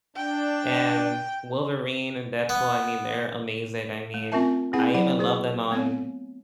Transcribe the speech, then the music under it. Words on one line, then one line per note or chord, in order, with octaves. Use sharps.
and Wolverine and Deadpool, I mean, they're amazing. I mean, I even love them on
D4 G5
B3
A3
C4 C#4 F4 A#4 E5 A5
C4 E4 G#4 B4 F#5
F#3 E4 F#5
F#4 G#4 C5
A3 B3 C4 C#5